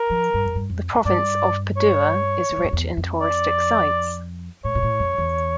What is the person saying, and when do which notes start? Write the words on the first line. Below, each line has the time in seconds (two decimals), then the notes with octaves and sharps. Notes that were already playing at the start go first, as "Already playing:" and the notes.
The province of Padua is rich in touristic sites.
Already playing: A#4
0.10 F3
0.34 G2
0.45 F2
0.55 G2
0.70 F2
0.94 F2
1.05 G2 D5
1.77 C#5
2.50 F2
2.57 G2
2.64 F2
2.73 E2
2.97 F2
3.21 D5
4.64 A2 C#5
4.75 A#2
4.83 A2
5.00 F2
5.18 E2